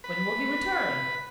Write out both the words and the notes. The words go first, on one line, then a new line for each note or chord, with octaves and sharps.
"When will he return?"
B4